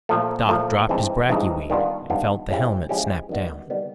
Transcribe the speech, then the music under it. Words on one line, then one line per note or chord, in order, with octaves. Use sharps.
Doc dropped his bracky weed and felt the helmet snap down.
A#2 F3 A3
A#2 F3 A3
G2 E3 G#3 C4 D#4
G2 E3 G#3 C4 D#4
D#3 G3 B3 D4 F4
D#3 G3 B3 D4 F4
F3 G#3 C#4 E4 G4
F3 G#3 C#4 E4 G4
F#2 D#3 G3 B3
D#3 G3 B3